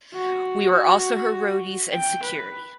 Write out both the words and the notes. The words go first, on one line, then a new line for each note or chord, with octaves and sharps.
We were also her roadies and security.
F#4
G5
B4